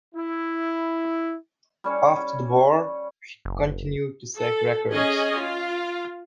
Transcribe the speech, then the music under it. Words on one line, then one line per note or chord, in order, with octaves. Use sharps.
After the war, she continued to set records.
E4
G3 C#4 C#5
F#1
A4
C#4 G#4 D#5 G#5
F4